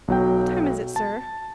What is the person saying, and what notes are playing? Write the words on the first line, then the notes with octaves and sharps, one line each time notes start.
"What time is it, sir?"
B1 F#3 G5
A5